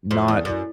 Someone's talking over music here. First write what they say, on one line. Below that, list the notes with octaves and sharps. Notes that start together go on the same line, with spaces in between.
not v
F2
E2
F#2